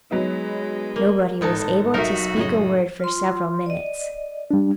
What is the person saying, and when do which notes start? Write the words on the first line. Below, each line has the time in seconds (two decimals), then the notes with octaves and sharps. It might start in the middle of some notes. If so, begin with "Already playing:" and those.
Nobody was able to speak a word for several minutes.
0.11 F#3 G#3 B3 D#4
0.96 A#3
1.41 G#1 A2 B3 D#4 A4
1.94 B1 D#4 F#4 A#4 E5
2.37 F#2 A2 C#3 D#5
3.00 F4 C6
3.66 D5 D#5
4.51 G3 D4